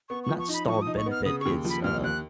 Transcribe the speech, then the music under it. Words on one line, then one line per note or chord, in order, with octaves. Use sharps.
not stalled benefit. It's, uh
B3 C#6
C#6
F3
C#6
D#4
B5
F3 C#6
D#4 D#6
C#6
B3
F6
C#3 D#6
D#2 C#6
F3 B5
D#2 F6
D#2 F#6